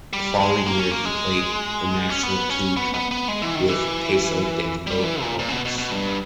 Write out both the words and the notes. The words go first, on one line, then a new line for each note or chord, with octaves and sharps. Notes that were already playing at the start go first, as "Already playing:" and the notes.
The following year, he played the National Team Cup with Paso de los Toros.
G3
G#3
A#3
C#4
A#3
G#3
C#4
B3
C#4
B3
B3
B3
G#3
E3
D#3
E3
G3
E3
A#2
A#2
C#3
B2
B2
B2
G2